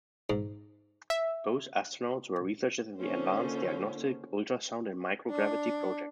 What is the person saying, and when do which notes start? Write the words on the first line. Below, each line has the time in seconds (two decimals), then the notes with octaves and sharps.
Both Astronauts were researchers in the Advanced Diagnostic Ultrasound in Microgravity Project.
0.30 G#2
1.10 E5
3.00 D3 A#3 C#4 D#4 F4 C5
5.30 D4